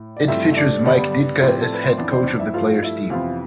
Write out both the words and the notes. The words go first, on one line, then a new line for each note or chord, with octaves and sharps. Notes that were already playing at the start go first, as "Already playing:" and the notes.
It features Mike Ditka as head coach of the player's team.
Already playing: A2
D5
G2 F3 A3 C4 E4 E5
E5
D4 D5
G2 D3 G3 B3 D4
A2 F3 C4
G4
A4
B4
C5
F2 E3 B3 D4 D5
C4 C5
D4 D5
E4 E5
G2 F3 A3 F4 F5
E4 E5
F2 C3 E3 B3 F4 F5